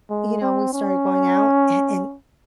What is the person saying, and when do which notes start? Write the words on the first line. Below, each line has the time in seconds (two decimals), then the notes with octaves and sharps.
you know, we started going out a and
0.10 G#3
0.41 C4
0.73 C#4